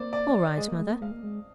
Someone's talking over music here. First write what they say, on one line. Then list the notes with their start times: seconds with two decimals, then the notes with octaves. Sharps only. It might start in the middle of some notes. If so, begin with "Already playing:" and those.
'All right, Mother.
Already playing: A#3 C5 D5
0.13 D5
0.57 G#3 D#5
0.68 A#3
0.79 G#3
0.90 A#3
1.01 G#3 F5
1.11 A#3
1.23 G#3